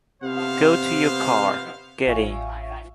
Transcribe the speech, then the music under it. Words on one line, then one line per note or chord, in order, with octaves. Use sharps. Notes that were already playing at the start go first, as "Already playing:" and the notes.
Go to your car, get in.
C3 B3 C5 F5
A1 F4 E5 F5 G#5 C#6